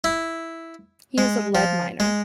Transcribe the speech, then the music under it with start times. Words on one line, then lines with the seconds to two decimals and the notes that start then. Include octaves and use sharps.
He is a lead miner.
0.04 E4
1.18 G#3
1.55 F3
2.00 G#3